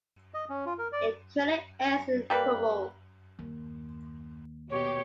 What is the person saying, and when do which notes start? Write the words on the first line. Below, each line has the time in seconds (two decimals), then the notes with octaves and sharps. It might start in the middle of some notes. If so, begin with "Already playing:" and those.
It currently airs in Qubo.
0.34 D#5
0.50 C#4
0.66 F4
0.78 A#4
0.92 D5
2.30 G3 A#3 B4
3.39 D#2
4.70 B2 G4 C#5